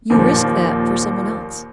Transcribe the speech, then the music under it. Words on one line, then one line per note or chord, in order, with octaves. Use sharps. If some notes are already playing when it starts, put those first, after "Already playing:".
"You risk that for some one else."
D#2 A#2 F3